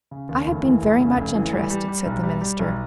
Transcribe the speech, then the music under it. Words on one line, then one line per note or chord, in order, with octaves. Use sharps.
"I have been very much interested," said the minister.
C#3
D#2
F1
E3
F1
C#3
F1
E3
G3
G3
G3
B1
G3
G3
B1